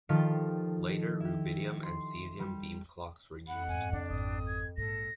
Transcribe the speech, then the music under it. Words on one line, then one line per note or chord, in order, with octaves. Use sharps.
Later rubidium and cesium beam clocks were used.
D#3 F3 F4 G4 A4
E4 G4
C6
G3
F2 F#5 B5
E2 G#2 G#5
C#3 D4
G#1 D#6
G#6
A#1 G#2 A4 A#6